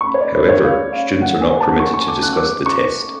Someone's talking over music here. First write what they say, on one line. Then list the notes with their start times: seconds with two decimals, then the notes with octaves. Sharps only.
However, students are not permitted to discuss the test.
0.01 C#6
0.07 B5
0.14 C#5
0.21 D5
0.35 C#5
0.49 C#5
0.64 F5
0.92 F5
1.22 F#5
1.41 G#5
1.60 A5
1.80 C#6
1.94 C#6
2.08 D6
2.22 F#6
2.37 D6
2.66 C#6